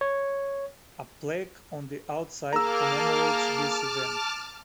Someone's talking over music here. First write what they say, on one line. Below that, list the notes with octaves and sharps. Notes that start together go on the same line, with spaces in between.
A plaque on the outside commemorates this event.
C#5
A#3 G#4 A5 A#5 D6 E6 F6